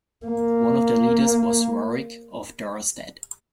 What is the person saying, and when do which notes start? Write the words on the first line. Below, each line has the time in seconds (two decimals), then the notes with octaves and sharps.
One of their leaders was Rorik of Dorestad.
0.26 A#3